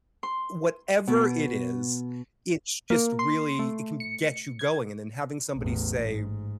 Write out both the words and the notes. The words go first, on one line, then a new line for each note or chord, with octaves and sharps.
Whatever it is, it's just really it can get you going. And then having somebody say,
C6
B2
A#3
C6
A3
C#7
G#6
A1 E2
G#2